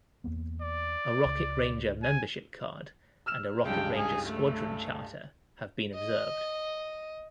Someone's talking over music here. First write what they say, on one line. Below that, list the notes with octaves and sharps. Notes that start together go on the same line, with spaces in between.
A Rocket Ranger membership card and a Rocket Ranger Squadron Charter have been observed.
E2 A#3 B3
D5
C#2 C#3
G#5
E6 F6 E7
C#2 G2 G5
G#4
A3
D#5